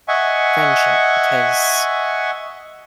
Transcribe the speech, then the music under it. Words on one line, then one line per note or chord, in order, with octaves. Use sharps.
friendship because
D#5 E5 F#5 G#5 C#6